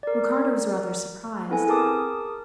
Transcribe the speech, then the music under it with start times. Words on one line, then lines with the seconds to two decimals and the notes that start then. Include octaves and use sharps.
Ricardo was rather surprised.
0.03 A#4 D5
1.49 B3 C4 E4 A4 B4 G#5
1.67 G#4 A#4 A5 D6 D#6